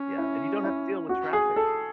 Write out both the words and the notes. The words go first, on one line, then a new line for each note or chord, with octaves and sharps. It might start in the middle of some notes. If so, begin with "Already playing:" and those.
Yeah, and you don't have to deal with traffic,
Already playing: C#4
E4
E4
F#4
G#4
A4